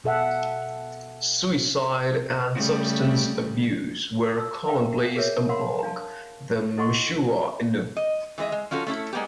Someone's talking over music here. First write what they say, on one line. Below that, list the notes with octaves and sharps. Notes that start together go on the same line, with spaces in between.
Suicide and substance abuse were commonplace among the Mushuau Innu.
B2 A4 E5 F#5
C#3 G3 A3
A5 E6
A#4 E5 F5 G5
G#4 A#4 B4 C#5 E5
A#4 F5 F#5 B5 C6
D4 F5 G#5 A5
E4 A4 D#5 F#5 C6 C#6
D#5
E3 G#3 A#4 D#5 E5
G#3
F3 C#4 F4 F#4 A4
A3 C#4 E4 A4
G3 G#3 A#3 B3 G4